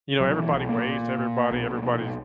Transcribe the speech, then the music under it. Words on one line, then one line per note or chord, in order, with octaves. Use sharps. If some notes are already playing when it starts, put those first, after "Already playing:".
you know, everybody waves to everybody, everybody's
B1 F#3
F#3
E3
B1
A#3
A#2
A#2
B1
B1